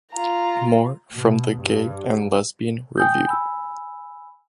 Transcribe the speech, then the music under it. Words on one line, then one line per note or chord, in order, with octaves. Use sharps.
More from The Gay and Lesbian Review.
F4 A#5
B2
G2
G5 G#5 D#6 G6
G#5 B5 E6